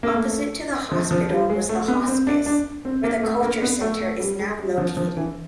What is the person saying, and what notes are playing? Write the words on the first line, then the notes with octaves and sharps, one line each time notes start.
Opposite to the Hospital was the Hospice, where the Culture Center is now located.
A#3
A3
F3
F3
G3
G#3
A3
B3
C4
D4
D4
C4
A#3
A3
A#3
B3
A3
A3
G3
G#3
G3
F3
F3
E3